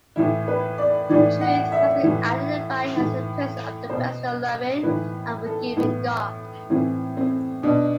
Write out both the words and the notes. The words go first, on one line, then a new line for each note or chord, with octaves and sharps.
"Truth" has been identified as the presence of a personal, loving, and forgiving God.
A2 E3 E4
B4
D5
A2 E3 D5
F#5
E5
A2 E3
A2 E3
B2 C5
A2 E3 B4
A4
A2 E3 B3
A2 E3 C4
C4
B2 D4